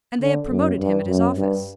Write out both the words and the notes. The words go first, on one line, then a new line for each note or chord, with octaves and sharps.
"And they have promoted him at his office."
D3
F#2
G2
F#2
G2